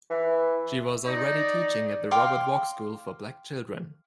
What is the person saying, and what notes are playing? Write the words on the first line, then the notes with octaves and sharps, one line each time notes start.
She was already teaching at the Robert Vaux School for black children.
E3
D#4 D5
F5 G5 C6 D6